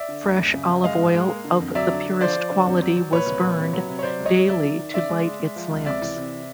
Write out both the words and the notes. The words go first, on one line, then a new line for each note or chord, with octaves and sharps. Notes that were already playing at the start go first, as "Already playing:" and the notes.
Fresh olive oil of the purest quality was burned daily to light its lamps.
Already playing: D5 E5
D3
D2
F#2
C#3
F#2
G#3 D#5 F5
G#2
G#3
A#3
D3
F2
F#3 D5 E5
D3
D3
F3 C5 D5
F3
D3
F2
F#3
F#3
A#2 B4 C#5
C2
A#2
C3
F#3
C3
C#5
F#3 C5 D5
C#2
C#5 D#5
C#2
F#3 D5 E5
D#3
D#3
C#3 D5 E5
G#3
G#3
G#3
F3
C#2
C3 D5 E5
E3
C3